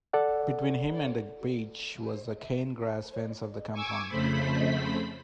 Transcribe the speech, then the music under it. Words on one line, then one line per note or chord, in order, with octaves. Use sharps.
Between him and the beach was the cane-grass fence of the compound.
A4 D5 F#5
G#5 C#6 D6 E6 G#6
F2 C#3 A3 C5 B5 B6